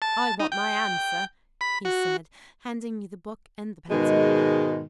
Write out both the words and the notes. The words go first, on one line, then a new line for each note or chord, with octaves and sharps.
"I want my answer," he said, handing me the book and the pencil.
A5
D#4
G5
B5
F#4
G#2 B2 D#3 G#3